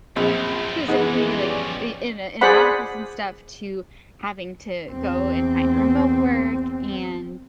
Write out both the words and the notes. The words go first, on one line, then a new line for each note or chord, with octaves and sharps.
physically, like, i in a in an office and stuff to having to go and find remote work, and
A#1 F#2 F3 C4
E3 G#3 B3 D#4 G#4
C#4 G4 D5
G#4 C5 D5 F#5 B5
E2 C4